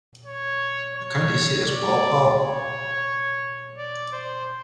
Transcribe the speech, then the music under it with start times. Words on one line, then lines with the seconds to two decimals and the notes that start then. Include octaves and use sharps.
The county seat is Paw Paw.
0.25 C#5
0.95 C#5
1.67 D5
2.37 C#5
3.78 D5
4.13 C5